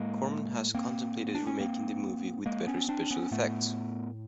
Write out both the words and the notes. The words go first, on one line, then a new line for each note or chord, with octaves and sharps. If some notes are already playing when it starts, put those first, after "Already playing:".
Corman has contemplated remaking the movie with better special effects.
Already playing: A2 G#3 A#3
A#3 C4
D4
C#4
A#3 C4
G#3 A#3
B3 C#4
C4 D4
B3 C#4
A2 A3 B3